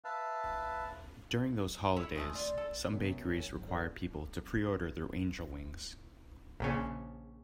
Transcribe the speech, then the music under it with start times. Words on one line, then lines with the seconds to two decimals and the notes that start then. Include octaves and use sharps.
During those holidays, some bakeries require people to pre-order their angel wings.
0.04 B4 E5 F5 A5
1.96 E4 C#5
2.16 D#3 G#3 A3
2.35 F4 D5
2.58 A4
2.93 F#1 F#2 C3 B3
3.25 F#1 F2
3.46 G1 F#2
3.68 D3
6.60 A#1 A#2 C#3